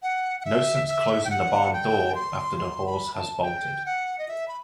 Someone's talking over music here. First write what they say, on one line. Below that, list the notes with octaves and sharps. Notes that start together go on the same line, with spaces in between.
No sense closing the barn door after the horse has bolted.
F#5
F#5
E5
E5
G5
F#5
G5
C6
C6
B5
A5
G5
F#5
D#5
E5
B5